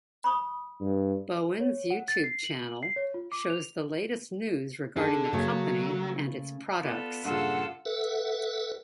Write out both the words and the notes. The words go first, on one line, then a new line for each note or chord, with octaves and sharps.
Bowens YouTube channel shows the latest news regarding the company and its products.
B5 C#6 D#6
G2
C#5
F#5
A6
C7
F#7
C7
C#5
F4
D6
F7
D4 G#4 A4
C#3 F#3 A3 A#3
B3 F4 A4 D5
G2 A#2 C#3 F4 A4 F#5 E6
A4 B4 E5 F#5